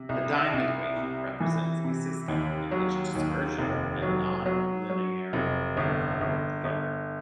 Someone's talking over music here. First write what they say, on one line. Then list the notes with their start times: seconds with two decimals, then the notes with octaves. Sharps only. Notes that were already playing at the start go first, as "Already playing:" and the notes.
The Dym equation represents a system in which dispersion and nonlinearity are coupled together.
Already playing: C3
0.09 C2
0.53 C2
0.97 C3
1.40 E3
1.84 C3
2.28 D#2
2.71 F#3
3.15 D#2
3.58 F1
4.02 F#3
4.46 F#3
4.90 F#3
5.33 F1
5.77 G1
6.21 G1
6.64 G1